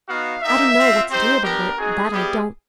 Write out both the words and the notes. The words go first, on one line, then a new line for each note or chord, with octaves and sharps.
I don't know what to do about it, that I don't.
B3 D#4 F#4 F5
A#3 D#4 G4 E5
C4 F4
C4 D#4 G4 C5
B3 D4 G4 A#4
C4 D#4 F#4 G#4
G3 B3 E4 G4